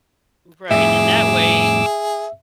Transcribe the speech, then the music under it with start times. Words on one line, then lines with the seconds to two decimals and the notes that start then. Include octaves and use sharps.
Right, and that way,
0.71 F2 A2 G#4 E5 D6 E6